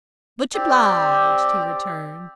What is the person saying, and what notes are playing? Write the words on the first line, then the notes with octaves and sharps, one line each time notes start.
"Much obliged," he returned.
C4 G4 D5